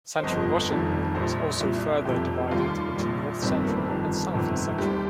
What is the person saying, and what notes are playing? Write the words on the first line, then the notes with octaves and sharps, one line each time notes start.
Central Washington is also further divided into North Central and South Central.
C5
G1 F2 F3 D#5
F1 F2 D#3 G3
A#1 A#2 G3 C5
C2 A#2 G3
F1 F2 C3 G4
D#2 D#3 G3 F4
A#1 A#2 G3
G1 F2 C3 D#3 G3 C4
A#3
G1 F2 D#3 G3
G1 F2 C3 D#3
D#2 D#3 G3 G4